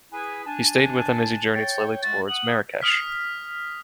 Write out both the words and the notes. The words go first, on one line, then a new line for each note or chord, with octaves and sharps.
He stayed with him as he journeyed slowly towards Marrakesh.
E4 G#4 B4 G#5
D4 G#5 A5
C#5 G5 A6
G#3 A3 F#4 A6
F#5 D#6 F#7
D#6 F6 B6